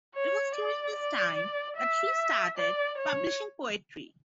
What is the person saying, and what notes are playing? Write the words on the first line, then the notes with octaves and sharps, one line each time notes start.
It was during this time that she first started publishing poetry.
C#5
D5
D5
E5
D5
C#5